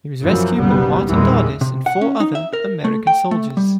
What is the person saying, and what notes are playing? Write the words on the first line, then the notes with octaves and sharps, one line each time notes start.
He was rescued by Martin Dardis and four other American soldiers.
F#2 E3 F3
F#1 B1 G3 B3
E2 A#2 D#3 E3 G3 G#3
C3
F#5
C#4
D#4
E5
A#4
A3
G5
A3
G3